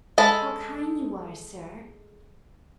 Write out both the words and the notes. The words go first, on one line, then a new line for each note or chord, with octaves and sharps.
"How kind you are, sir!"
G#3 A4 A5 B5